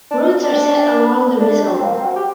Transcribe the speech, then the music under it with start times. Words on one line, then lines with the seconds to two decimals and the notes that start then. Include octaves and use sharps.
Roots are set along the rhizome.
0.11 D4
0.22 D#4
0.43 D4
1.40 D4
1.74 C4
1.84 A#3
1.94 C4
2.05 F#4
2.16 G4